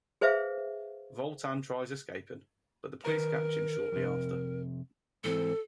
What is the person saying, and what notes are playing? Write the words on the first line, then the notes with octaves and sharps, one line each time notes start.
Voltan tries escaping, but the police catch him shortly after.
G#4 B4 C5 E5 F5
D#3 A#4 B4 A#5
F2 C3
G#2 E3 C4 A4